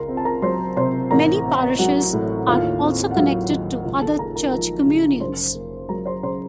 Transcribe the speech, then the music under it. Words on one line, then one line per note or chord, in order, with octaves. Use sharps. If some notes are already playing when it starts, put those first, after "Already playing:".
Many parishes are also connected to other church communions.
Already playing: C#2 A#4 A#5 C6
C4
A5
A#4 A#5
F#3 C5 C6
C3 C5 C6
A1 A#4 A#5
C4
F#3 F#4 F#5
A2
D#2 F4 F5
C4
F#5
F#3 F4 F5
D#3
C#2
A4 A5
A#3 A#4 A#5
A#4 A#5
F3 A#4 A#5
C#3
F#2 C5 C6
A#3
F#3 A#4 A#5
C5 C6
C#3 C5 C6